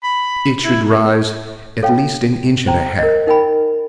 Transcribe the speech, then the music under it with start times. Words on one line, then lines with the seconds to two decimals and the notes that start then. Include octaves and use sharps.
It should rise at least an inch and a half.
0.04 B5
0.64 E4
1.83 A4 C#5 F5 G5
2.66 C5 G5 A#5
2.99 A#4 D#5
3.27 D#4 A#4 G5 G#5 B5